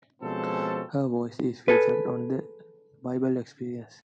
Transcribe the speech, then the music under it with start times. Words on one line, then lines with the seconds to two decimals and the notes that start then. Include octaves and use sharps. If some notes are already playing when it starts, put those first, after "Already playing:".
Her voice is featured on "The Bible Experience".
0.22 B2 F3 G#3 C4 C#4 A4
1.68 G#4 A4 B4